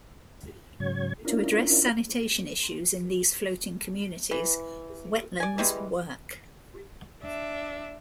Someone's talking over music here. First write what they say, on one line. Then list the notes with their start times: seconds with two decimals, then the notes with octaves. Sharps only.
To address sanitation issues in these floating communities, Wetlands Work!
0.80 G#2 C#3 F#3 C#5 G#6
1.25 C#4 D4 E4 F4 A#4
4.31 E3
5.40 D5 G#5
5.58 E3 G3 G#3
7.22 D4 E5